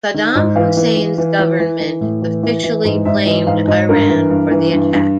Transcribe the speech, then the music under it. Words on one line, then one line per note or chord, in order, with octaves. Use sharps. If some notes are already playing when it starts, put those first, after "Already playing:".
Saddam Hussein's government officially blamed Iran for the attack.
D#3
G#2
E3 F5
E3
E3
E3
E3
E3
E3
A2
E3
E3
E3
G#2
G#2 E5
E3 D#5
G#2 F5
G#2 D#5
G2 A#4
E3
G2
E3
G2
G2